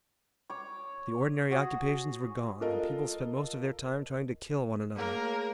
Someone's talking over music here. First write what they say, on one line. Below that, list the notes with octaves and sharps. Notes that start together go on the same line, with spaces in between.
The ordinary occupations were gone, and people spent most of their time trying to kill one another.
C#5 D6
F#4 G#4
F4 A4 A#4 D#5
A3 A#3 G#4 A#4 C#5